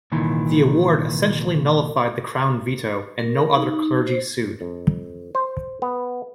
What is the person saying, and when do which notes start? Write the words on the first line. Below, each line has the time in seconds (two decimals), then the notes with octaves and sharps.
The award essentially nullified the Crown veto, and no other clergy sued.
0.12 C2 A#2 D#3 E3
3.19 A#4
3.55 D#4
4.07 C5
4.61 F2
5.35 C5
5.82 B3